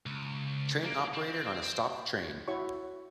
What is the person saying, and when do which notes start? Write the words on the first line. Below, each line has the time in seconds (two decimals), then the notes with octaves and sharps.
Train operator on a stopped train.
0.06 C#2
0.84 A#3
1.14 C4
2.48 E4 F#4 C#5 C#6